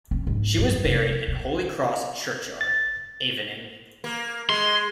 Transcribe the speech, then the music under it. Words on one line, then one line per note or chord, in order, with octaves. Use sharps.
She was buried in Holy Cross churchyard, Avening.
C#4
G#2
F#2
F1
B2
A6
A#3
G#3 C6